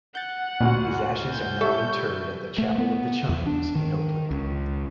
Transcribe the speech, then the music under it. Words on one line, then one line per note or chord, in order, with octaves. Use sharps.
His ashes are now interred at the Chapel of the Chimes in Oakland.
F#5 G6 A6
D2 A#2 F#4
G6
G3 A4 E5 C#6
A3
B3
E2
D4
D#3
C#2